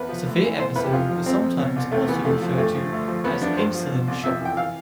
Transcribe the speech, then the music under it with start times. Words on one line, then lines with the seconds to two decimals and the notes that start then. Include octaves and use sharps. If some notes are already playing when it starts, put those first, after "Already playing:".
A severe episode is sometimes also referred to as "insulin shock".
Already playing: E2 B4
0.09 F3
0.26 D2
0.43 E3
0.59 B2 C5
0.76 E2 B4
0.84 G4
0.92 F2 F4
1.09 F3
1.26 F2 C4
1.42 F3
1.59 B2
1.76 C2
1.91 E2 A3
2.08 E3 B3
2.24 F2 A3
2.42 F3
2.58 G2 A3
2.75 F3
2.91 D2
3.08 F3
3.24 E2 B3
3.41 F3 D4
3.57 G2 C5
3.74 F3
3.91 B2
4.08 C2
4.23 F2 E5
4.41 E3 G5
4.57 E3 F5